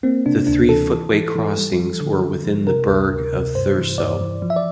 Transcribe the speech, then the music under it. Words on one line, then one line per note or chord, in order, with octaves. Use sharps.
The three footway crossings were within the burgh of Thurso.
A#3 C4
C3 D4
D2 D4
E3 A4
E3
E3
E3
G3
F3
D3
D3
F3
C3 A#4
D2
D2
C3
G2 C5
E3
G2 D5
E3
F3
E5
D5